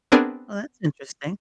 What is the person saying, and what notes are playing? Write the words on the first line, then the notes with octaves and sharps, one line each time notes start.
Well, that's interesting.
B3 C4 D4 G#4 A#4 G#5